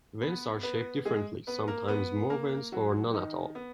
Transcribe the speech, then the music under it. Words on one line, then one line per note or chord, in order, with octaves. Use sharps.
Vents are shaped differently, sometimes more vents or none at all.
B3 B4
B3 B4
G#3 G#4
B3 B4
A#3 A#4
B3 B4
A#3 A#4
F#3 F#4
D#3 D#4
B3